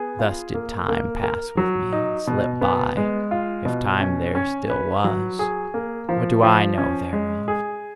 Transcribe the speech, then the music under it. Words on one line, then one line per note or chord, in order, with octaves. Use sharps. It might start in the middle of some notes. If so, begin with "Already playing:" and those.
Thus did time pass with me, and slip by, if time there still was: what do I know thereof!
Already playing: B3 G#4
F4
A#3
A#3
A#4
F#3
D#4
B2
B3
G#3
F4
B2
C#4
C#4
B4
F#3
G#4
A#3
F3
F3
C#4
G#3
G#4